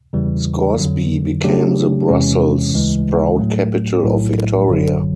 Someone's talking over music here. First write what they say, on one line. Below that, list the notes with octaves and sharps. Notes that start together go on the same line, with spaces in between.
Scoresby became the Brussels sprout capital of Victoria.
E2 C#3 E3 G3
F2 D3 F#3
C#3 F#3 A3 D4 G4
E2 C3 E3 G#3 C#4
D2 C#3 E3 G#3
A2 F#3 A3
B1 A2 F#3
G1 F#2 D3 F#3